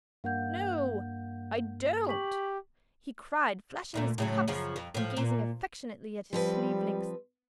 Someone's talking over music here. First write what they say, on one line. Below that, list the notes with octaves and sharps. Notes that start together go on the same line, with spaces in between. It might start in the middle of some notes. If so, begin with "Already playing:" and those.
'No, I don't,' he cried, flashing his cuffs and gazing affectionately at his sleeve-links.
G2 A#3 F5 F#5 G6
G4 C#6 B6 F#7
D2 A#2 A3
A2 C#3 F#3
F#2 C#3 F3
F2
A2 F3
A#2
F3 G3 C4 B4